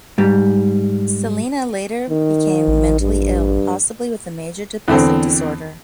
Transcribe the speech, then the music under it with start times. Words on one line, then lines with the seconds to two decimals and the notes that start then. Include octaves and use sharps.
Celina later became mentally ill, possibly with a major depressive disorder.
0.18 G#2 G3
2.10 D#3
2.68 A1
3.01 G2
4.88 E2 D3 C4